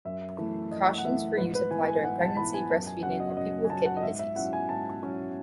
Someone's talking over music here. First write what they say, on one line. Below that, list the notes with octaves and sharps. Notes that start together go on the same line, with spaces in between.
Cautions for use apply during pregnancy, breast feeding, or in people with kidney disease.
F#2 E5
E3 A3 E4
F#2 D#5
F#5
E3 A3 E4 E5
G#2 B4
B4
E3 B3 E4 G#5
G#5
G#2 F#5
A5
E3 B3 E4 B5
G#5
F#2 A5
G#5
C#3 F#3 C#4 F#5
D#5
F#2 D#5
G#5
C#3 F#3 C#4 A5
F#5
D#5
G#2 E5
E5
F#3 C#4 E4 F#5
G#5
G#2 A5
F#3 C#4 E4